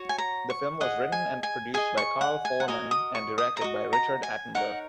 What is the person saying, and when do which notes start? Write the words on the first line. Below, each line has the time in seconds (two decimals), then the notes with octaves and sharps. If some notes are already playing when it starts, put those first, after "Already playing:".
The film was written and produced by Carl Foreman and directed by Richard Attenborough.
Already playing: F#4 C#5
0.09 G#5
0.18 A#5
0.50 C#6
0.80 G#4 D#5 F#5
1.12 G#5
1.43 G#5
1.74 G#4 D#5 G#5
1.97 C#6
2.21 F#5
2.45 G#5
2.60 F#5
2.68 F#4 A#4 D#5 G#5
2.91 D#6
3.15 C#6
3.38 D#6
3.57 A#5
3.61 F#4 D#5 C#6
3.93 A#5
4.23 G#5
4.55 D#4 A#4 C#5 F#5